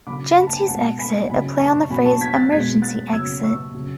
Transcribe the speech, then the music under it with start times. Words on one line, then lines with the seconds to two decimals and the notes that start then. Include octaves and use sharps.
Gency's Exit', a play on the phrase "Emergency Exit".
0.06 C#3 F#3 B5 D6
0.37 B5
0.47 A5
0.56 G#5 B5
0.68 B2 G#3 F#5 A5
0.99 G#5 B5
1.29 C#3 F#3 G#5 B5
1.60 A5 C#6
1.90 B2 F#3 G#5 B5
2.05 A5 C#6
2.21 G#6 B6
2.36 F#6 A6
2.52 B2 G#3 G#6 B6
2.82 F#6 A6
3.13 C#3 F#3 E6 G#6
3.43 C#6 E6
3.74 C#3 F#3